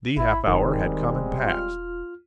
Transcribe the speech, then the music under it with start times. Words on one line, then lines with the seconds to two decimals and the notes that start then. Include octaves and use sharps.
The half-hour had come and passed.
0.17 G#1 E4
0.47 E1 D#3 G3 G#3 C4
1.46 F4 F6